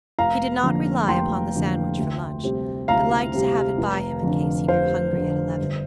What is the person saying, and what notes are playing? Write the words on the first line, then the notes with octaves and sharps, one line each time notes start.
He did not rely upon the sandwich for lunch, but liked to have it by him in case he grew hungry at eleven.
F1 F5 A#5
F2 D3 A#3
F1 G5 C6
F2 D3 A#3
D2
C3 G3 C4
D2 F5 A#5
C3 G3 C4
F1
F2 D3
F1 C5 F5
F2 D3
G1